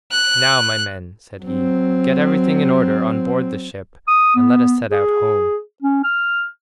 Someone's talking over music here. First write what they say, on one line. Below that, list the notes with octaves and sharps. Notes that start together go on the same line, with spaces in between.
"Now, my men," said he, "get everything in order on board the ship, and let us set out home."
F#6
F#3 C4
D#6
B3
G#4
C#4
F6